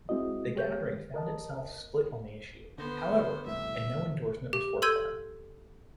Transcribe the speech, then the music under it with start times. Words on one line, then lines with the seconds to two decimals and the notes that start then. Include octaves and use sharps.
The gathering found itself split on the issue, however, and no endorsement was forthcoming.
0.09 G#3 C4 E4 F#4 D#5
0.55 G#3 G4 C#5 G6
1.14 A#4 D#5 A5
2.78 D3 B3 C5
3.46 E1 C2 A2 E5
4.53 G4
4.82 A4 C6 E6 G6 G#6 D#7